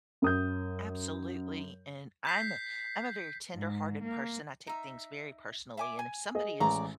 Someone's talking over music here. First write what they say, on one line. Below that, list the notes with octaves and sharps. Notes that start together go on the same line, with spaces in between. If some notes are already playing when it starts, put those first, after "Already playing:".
Absolutely and I'm a I'm a very tenderhearted person I take things very personally and if somebody is
F#2 D#6 G6
G6 B6 C7
G#2
A#3
D#4 E5
E5 G#5 D6
G#5
G#4 D#5
A1 G#3 D5 A#5 C#6